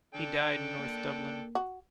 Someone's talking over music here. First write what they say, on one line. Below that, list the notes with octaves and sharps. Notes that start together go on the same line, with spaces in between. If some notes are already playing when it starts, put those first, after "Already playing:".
He died in north Dublin.
D3 D4 A4 G5
A#3
F#4